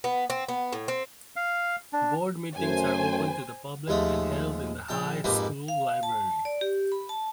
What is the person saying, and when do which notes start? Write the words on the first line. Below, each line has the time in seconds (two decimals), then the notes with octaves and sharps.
Board meetings are open to the public and held in the high school library.
0.04 B3
0.30 C4
0.48 B3
0.73 A2
0.88 C4
1.36 F5
1.93 D4
2.57 F#2 A3 C5 G#5
3.88 D#2 F3 G#3 A3
4.89 A#1 G5 A5
5.24 F2 G#2 A#3 G4 B4
5.68 F5
6.03 A5
6.45 D5
6.61 G4
6.92 B5
7.09 A5